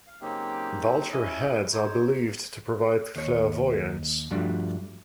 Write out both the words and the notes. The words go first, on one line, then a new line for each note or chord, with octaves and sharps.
Vulture heads are believed to provide clairvoyance.
F5
C#3 F#3 A#3 C4 D#4 G4
C#4 E4 D#5
D#4 C5 C#5
D#2 C#5
G2 F3 G3 A3 D4 F#4